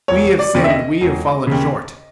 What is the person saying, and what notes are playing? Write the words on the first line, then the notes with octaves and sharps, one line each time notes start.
We have sinned, we have fallen short.
E1 C#5
D5
D#2 C#3
E5
D#5
E1
D#2 C#3